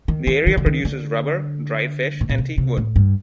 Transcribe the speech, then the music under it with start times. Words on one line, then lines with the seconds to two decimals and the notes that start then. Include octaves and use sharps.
The area produces rubber, dried fish, and teakwood.
0.08 D#3
0.27 D#3
0.47 D#3
0.57 D3
0.66 D#3
0.85 D3
2.21 A2
2.29 A#2
2.38 C3
2.58 C3
2.77 A2
2.96 G2